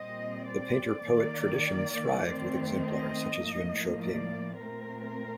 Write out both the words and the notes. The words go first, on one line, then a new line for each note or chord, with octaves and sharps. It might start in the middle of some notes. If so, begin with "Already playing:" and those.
The painter-poet tradition thrived with exemplars such as Yun Shouping.
Already playing: A#2 G3 C4 D#5
D5
D#3 A#3
D#3 A3 C4
D#5
A2 F3 A#3
D5
A#2 A3 C4 A#4